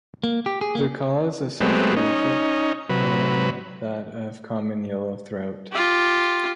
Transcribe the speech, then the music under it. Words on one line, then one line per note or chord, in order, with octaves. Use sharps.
The call is a softer "jip" than that of common yellowthoat.
A#3
G4
G#4
A#3
F#3 G#3 A3 B3 C4 G4
C#4 D#4
C3 F#3 B4
F4 G4